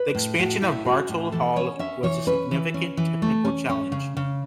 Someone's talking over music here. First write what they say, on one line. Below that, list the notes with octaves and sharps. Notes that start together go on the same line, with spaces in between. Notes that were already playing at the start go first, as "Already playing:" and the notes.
The expansion of Bartle Hall was a significant technical challenge.
Already playing: B4
A2
A2 F#4
A2 E4
C#4 F#4
A2
E3 A4
C#4 C#5
C#4 E5
E3 C#5
C#4 B4
E3
C#4
E3
A3
C#4
C#4
C#3
C#3